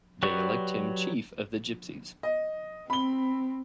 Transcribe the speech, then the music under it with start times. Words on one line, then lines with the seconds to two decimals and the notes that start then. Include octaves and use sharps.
They elect him chief of the Gypsies.
0.23 F#3 G4 B4 D5 C#6
2.23 D#5
2.90 C4 B5 G7